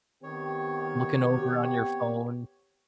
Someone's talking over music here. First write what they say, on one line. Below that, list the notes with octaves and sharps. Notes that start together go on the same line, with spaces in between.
looking over on your phone.
D#3 B3 C4 G4 C#5